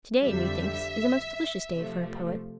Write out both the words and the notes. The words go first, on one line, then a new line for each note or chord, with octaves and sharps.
Today, methinks, is a most delicious day for a poet.
F2 D3 G3 E5
C3 F3 A3